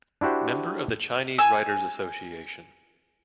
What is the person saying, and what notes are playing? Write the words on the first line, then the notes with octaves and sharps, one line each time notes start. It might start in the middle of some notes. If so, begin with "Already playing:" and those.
Member of the Chinese Writers Association.
D4 E4 F#4 G4 C5
G#5 E6